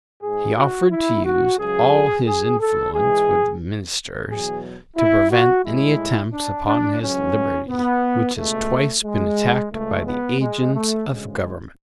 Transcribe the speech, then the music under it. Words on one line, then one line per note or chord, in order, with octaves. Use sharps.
He offered to use all his influence with the ministers to prevent any attempts upon his liberty, which has twice been attacked by the agents of government.
G#2 G#3 G#4
F#4
E4
F#4
C#2 C#3 F#3 G#4
G#4
A4
G#2 E3 G#3 G#4
E2 B2 F#3 G#4
E4
F#4
A2 G#3 E4
D4
D4
C#2 C#3 F#3 C#4
B3
C#2 B2 G#3 A3
G#3
C#2 C#3 G#3 A3
B3
G#3
A3
D2 C#3 G#3